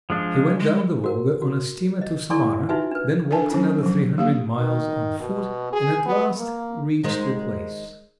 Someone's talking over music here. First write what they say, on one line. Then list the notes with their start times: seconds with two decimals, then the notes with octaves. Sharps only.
He went down the Volga on a steamer to Samara, then walked another three hundred miles on foot, and at last reached the place.
0.10 F3 G#3 D4
0.60 G#3
1.04 F#4 A#4
1.42 F#4
2.01 D#5
2.30 E4 A4 D5 G#5 C6 C#6
2.69 D#4 F4 F#4 B4 E5 G#5
2.91 D4 B4
3.31 D4 A4 G#5 A5
3.50 F#3 C#4 E4
3.83 F3 F#3
4.18 A#3 G4 F5
4.58 D#3
5.20 B2
5.73 G#4
6.06 B3
6.37 A#3
7.03 D#3 G#3 C5